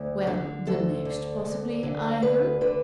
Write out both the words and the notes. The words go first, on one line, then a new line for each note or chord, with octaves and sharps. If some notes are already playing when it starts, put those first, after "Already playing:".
'Well, the next possibly, I hope?'
Already playing: D2
D3
D2 A4
D3
D2
D3
D2 B4
D3 B4